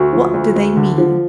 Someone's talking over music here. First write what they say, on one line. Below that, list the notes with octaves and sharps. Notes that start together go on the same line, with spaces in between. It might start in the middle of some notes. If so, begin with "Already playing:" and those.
What do they mean?
Already playing: D2 F#4
F3
D2
D2
D3
F3